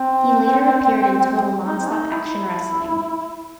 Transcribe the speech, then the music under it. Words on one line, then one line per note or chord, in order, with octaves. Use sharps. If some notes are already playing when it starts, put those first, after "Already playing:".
He later appeared in Total Nonstop Action Wrestling.
Already playing: C4
D#4
C4
D#4
E4